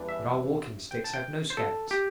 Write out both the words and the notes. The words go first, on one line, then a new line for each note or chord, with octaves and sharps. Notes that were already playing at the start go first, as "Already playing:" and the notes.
But our walking-sticks have no scabbards.
Already playing: E2 E3 G3 D4
E5
G5
A5
G5
C5
A4
G4